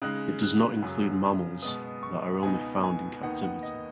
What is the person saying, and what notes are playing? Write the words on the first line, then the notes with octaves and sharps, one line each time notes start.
It does not include mammals that are only found in captivity.
C#3 G#3 D#4 F#6
F#6
F#2 C#3 F#3
B2 G#3 B3 D#6
C#6
C#2 B2 B3 D#4 G#5
G#5
D#2 D#3 B3 D#4 F#5
F#5
D#5